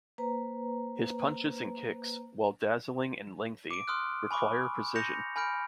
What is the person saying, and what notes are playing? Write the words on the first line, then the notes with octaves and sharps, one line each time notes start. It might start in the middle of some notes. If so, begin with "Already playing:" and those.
His punches and kicks, while dazzling and lengthy, require precision.
A#3 B4 C5 A#5
D6 D7
C6 D#6 F6 F#6
G#5 B5 C#6 D6
G6 A#6 C#7 F7
G#5 B5 F6 G6 D7